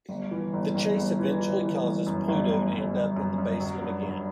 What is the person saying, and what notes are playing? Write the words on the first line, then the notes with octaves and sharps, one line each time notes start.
The chase eventually causes Pluto to end up in the basement again.
G1
E3
G1
G1
G1
E3
E3
E3
G1
F#2
G1
G1
G1
G1
F#2
F#2
F#3
G2
G2